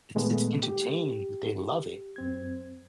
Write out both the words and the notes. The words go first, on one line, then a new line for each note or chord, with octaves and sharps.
It's it's entertaining that they love it.
A#2 D#3 G#3 A3 B3
G4
F#2 C4 G#6